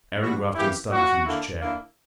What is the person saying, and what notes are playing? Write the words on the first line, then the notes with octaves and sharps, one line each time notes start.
Aaron Grafton started from his chair.
E3 G3 B3 E4 F#4
C#3 E3 A#3 E4 G4
A#2 F#3 A#3 E4 F#4
D3 A#3 E4
D3 A#3 E4